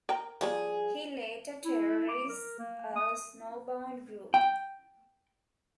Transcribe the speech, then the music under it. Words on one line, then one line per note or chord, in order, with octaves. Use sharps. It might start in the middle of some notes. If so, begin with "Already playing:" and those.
He later terrorizes a snowbound group.
A#4 G5 A#5
F3 G3 A#3 G#4
E4
D6
A#4
A#3
D#6
G5